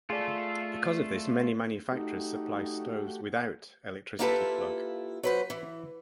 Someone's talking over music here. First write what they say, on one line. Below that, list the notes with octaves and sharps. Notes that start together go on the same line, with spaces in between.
Because of this many manufacturers supply stoves without electricity plug.
A3 F4 G#4 D5 A5
A3 D#4 F#4 G4
A#3 E4 F4 G4 A4 B4
F#3 B4 C5
E3